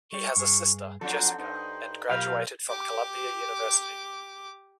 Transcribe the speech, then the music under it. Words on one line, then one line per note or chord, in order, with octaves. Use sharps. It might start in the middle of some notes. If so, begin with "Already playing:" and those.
He has a sister, Jessica, and graduated from Columbia University.
G3 C#6
G2 G#4
F3 F#3 C4 D4 A4
G2 D#4 C5
B1 F4 G4 A#4 F5 B5
C4
G4 D6